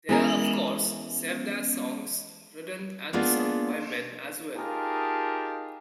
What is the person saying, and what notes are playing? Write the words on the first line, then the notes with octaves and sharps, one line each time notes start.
There are of course, Sevdah songs written and sung by men as well.
E3 G#3 B3 C#4 G#4 A#4
G#3 A#3 B3 D4 F4 G#4
D#4 F4 G4 G#4 A#4 A5